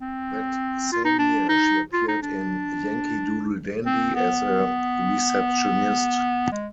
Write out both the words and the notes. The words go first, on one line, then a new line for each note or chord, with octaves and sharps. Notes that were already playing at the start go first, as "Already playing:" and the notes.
That same year, she appeared in "Yankee Doodle Dandy" as a receptionist.
C4
F4
D#4
D4
D#4
F4
D#4
D4
C4
B3
G#3